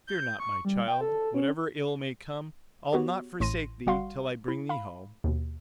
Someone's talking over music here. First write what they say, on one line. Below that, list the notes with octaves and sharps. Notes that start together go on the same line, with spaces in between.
"Fear not, my child; whatever ill may come I'll not forsake thee till I bring thee home."
G6
C#6
G3
G5
A4
C#4
B3 F#4 G4 C#5
A1 A2 C6 A#6 D#7
G1 G3 F#4 F5 F#5 C6
E4
F5 B5
D#2 B2